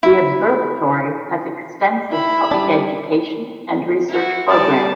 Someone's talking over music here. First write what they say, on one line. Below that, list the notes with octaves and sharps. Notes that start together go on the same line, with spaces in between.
The observatory has extensive public education and research programs.
E4
E4 B5
G3 D4
E4 F#4
G3 D5 G#5 A5